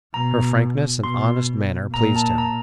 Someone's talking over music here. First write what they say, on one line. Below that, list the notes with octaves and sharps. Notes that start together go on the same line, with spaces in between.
Her frankness and honest manner pleased him.
B2 A#5
B2 C6
A#2 A#5
A5
A#5